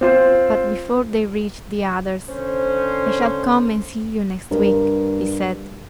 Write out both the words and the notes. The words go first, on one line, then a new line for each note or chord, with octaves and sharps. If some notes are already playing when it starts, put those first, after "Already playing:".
But before they reached the others, "I shall come and see you next week," he said.
C4 F4 C5
D3 C#4 C5
G2 A#4